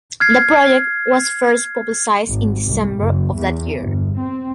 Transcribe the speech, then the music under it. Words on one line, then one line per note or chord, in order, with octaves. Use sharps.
The project was first publicized in December of that year.
F6 G#6 C7
G#1
C2
F#1
E2
G1
C4